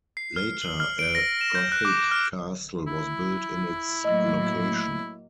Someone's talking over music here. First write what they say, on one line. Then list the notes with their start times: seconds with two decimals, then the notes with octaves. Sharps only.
Later a Gothic castle was built in its location.
0.17 C7
0.36 F6
0.62 F#7
0.80 F6
0.99 D7
1.15 A#6
1.41 E7
1.55 G6
1.72 F#6
1.85 D6
2.11 F6
2.87 E4
4.05 A2 F#3 A#3 D#5